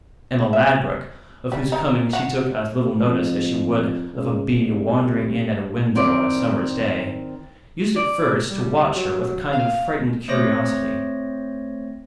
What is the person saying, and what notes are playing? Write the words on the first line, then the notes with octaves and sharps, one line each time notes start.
Emma Ladbruk, of whose coming she took as little notice as she would of a bee wandering in at a window on a summer’s day, used at first to watch her with a kind of frightened curiosity.
E5
G3
D#4
F#4
F2
C#2
C2
D#3 C4 E4 D5
D5
G3
F#3
F5
A3 C4 C5 C#5 A#6